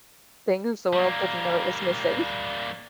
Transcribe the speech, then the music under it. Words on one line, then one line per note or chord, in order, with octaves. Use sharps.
Things the world didn't know it was missing.
G3 A#3